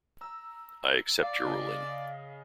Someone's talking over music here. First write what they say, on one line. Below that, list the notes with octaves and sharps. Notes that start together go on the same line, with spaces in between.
I accept your ruling.
A#5 E6
D5 F5
C#3 D#5